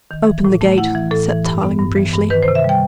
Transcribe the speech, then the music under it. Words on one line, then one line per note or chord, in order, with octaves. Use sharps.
"Open the gate," said Tarling briefly.
D#3
E3
A2
A3
E4 F#5
E3
A2 A4
E3
G2
B3
G2
E3
G2
D#3 B4
C5
C3
E5
G3 G5